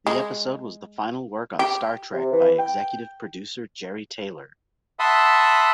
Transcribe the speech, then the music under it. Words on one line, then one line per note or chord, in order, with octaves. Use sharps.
The episode was the final work on "Star Trek" by executive producer Jeri Taylor.
G#3
G4
C3
E3
G5
E5 F#5 A5 B5 C6 D#6